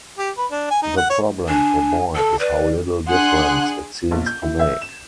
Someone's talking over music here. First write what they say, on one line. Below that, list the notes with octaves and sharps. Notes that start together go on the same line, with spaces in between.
The problem for Boyd is how little difference it seems to make.
G4
B4
D4
G#5
D#4
F#5
C#5
D4 G#5
A4 A5
B4 D5
D4 G#4 F#5 C6 F#6
A#1
G6
E4
E5
E7